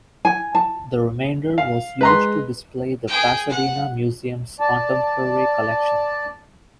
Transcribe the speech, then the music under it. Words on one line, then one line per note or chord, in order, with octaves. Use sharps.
The remainder was used to display the Pasadena museum's contemporary collection.
G#5
A5
F5
G#3 B4 A#5 C6
G#4 G5
F#5
D5 A5